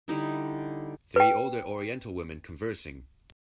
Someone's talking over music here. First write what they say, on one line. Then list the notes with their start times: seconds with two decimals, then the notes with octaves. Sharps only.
Three older oriental women conversing.
0.08 D3 G3 D#4 E4
1.16 B4 G5